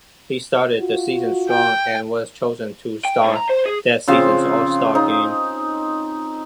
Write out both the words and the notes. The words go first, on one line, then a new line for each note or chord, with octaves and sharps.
He started the season strong, and was chosen to start that season's All-Star Game.
F4 F#4
G5
G5
G#2
A#5
C5
G#4
C#3 F3 C4
D#4